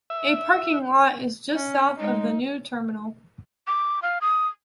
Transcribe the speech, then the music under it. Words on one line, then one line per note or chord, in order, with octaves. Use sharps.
A parking lot is just south of the new terminal.
E5
C#4
G#3 D#4
D6
F5
D#6